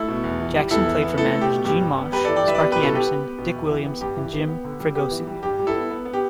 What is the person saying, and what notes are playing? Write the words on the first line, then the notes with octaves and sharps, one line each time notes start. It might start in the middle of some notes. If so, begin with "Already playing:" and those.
Jackson played for managers Gene Mauch, Sparky Anderson, Dick Williams and Jim Fregosi.
Already playing: A3 E4 A4
B2
E2
E3
G3
E2 E4 A4
E3
B3
A3 E4 A4
A3
G4
B2
G2 G4
G3
B3
G2 G4 B4
E3 A4 D5
D5 G5
G3 B4 E5
D5
B3 G4 B4
B2 G4 B4
E4 A4
G3 G4 B4
B3
B3
B2
E2
E3
B3
G2 G4
E3
B3
B3
D3
G3
B3 G4
E3
G3
G2 G4
G3
E4 A4
B3
B3
B3
G4